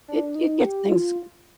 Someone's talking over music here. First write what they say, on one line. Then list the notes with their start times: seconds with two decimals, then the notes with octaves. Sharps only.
it it gets things
0.08 D4
0.35 D#4
0.62 G4
0.89 F4